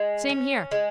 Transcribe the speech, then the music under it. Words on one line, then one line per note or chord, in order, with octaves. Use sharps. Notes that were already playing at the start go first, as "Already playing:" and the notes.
Same here.
Already playing: G#3
C#4
G#3